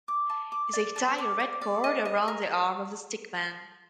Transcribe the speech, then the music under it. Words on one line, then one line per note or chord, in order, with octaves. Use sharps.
They tie a red cord around the arm of the sick man.
D6
A5
D6
D5
A5
D6
D5
D5
D#5
D#5
A#4